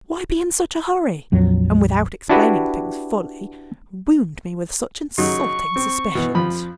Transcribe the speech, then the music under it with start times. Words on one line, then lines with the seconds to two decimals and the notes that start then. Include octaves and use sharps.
Why be in such a hurry, and without explaining things fully, wound me with such insulting suspicions?
1.32 A#1 F2 F#3
2.29 D4 E4 F#4 G4 B4
5.18 C#3 F#3 D#4 C#6
5.76 C4
6.15 B2 E3
6.34 F2 F3 B5